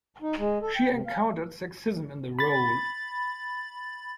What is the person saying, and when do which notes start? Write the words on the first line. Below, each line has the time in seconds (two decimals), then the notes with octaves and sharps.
She encountered sexism in the role.
0.22 D#4
0.39 G#3
0.62 A4
0.76 G5
0.92 C3
1.06 F5
2.39 B5 A6